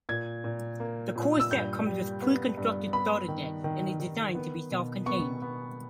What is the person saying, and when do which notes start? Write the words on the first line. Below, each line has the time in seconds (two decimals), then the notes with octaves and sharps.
The core set comes with pre-constructed starter decks, and is designed to be self-contained.
0.09 A#2 G#6
0.44 A#2
0.80 A#3
1.16 A#2
1.40 E6
1.51 G2 G6
1.86 G3
2.22 B3
2.57 G2
2.93 B3 B5
3.28 D#3
3.64 D#3
4.00 D#3
4.35 B3
4.71 B2
5.06 B3 C#6
5.42 B3